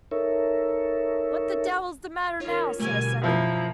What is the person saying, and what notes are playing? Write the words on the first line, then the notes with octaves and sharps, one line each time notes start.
"What the devil's the matter now!" said a second.
D#4 A4 A#4 C#5 E5
D#3 C#4 F4 C#5
B2 D3 G3 A3 A#4 D5 G#5
F#2 F3 E4 A#5